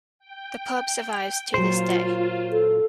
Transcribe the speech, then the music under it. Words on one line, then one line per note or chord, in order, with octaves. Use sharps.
The pub survives to this day.
G5
A#2 F#3 F4 C5
A4